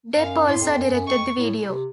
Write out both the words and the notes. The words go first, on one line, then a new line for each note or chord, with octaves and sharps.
Depp also directed the video.
F#2 F5
A2 C6
F2
F#2
F#2
F2 C#6
A2
C3